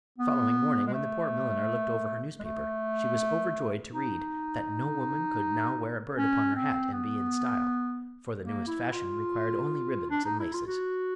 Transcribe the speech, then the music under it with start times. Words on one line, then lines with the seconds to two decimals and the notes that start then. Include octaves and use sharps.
The following morning when the poor milliner looked over her newspaper she was overjoyed to read that "no woman could now wear a bird upon her hat and be in style, for the newest fashion required only ribbons and laces."
0.18 B3
0.87 G#3
0.94 A3
2.39 G#3
2.43 A3
3.93 D#4
6.18 C#4
6.55 C4
6.92 B3
8.42 A#3
8.67 E4
8.92 F4
10.10 D4
10.25 D#4
10.39 E4
10.53 F4
10.67 F#4